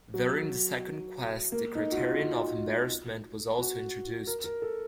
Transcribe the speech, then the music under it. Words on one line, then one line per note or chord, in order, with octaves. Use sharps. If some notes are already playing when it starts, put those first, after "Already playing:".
During the second quest the criterion of embarrassment was also introduced.
F#3
A#3
D#4
F#4
F4
F4
F#4
A#4
A#4
A4